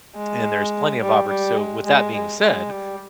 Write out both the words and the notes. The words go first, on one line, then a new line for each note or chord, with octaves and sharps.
And there's plenty of opport so, with that being said,
G#3
G3
G3
G#3
G#3
G#3
G#3
G3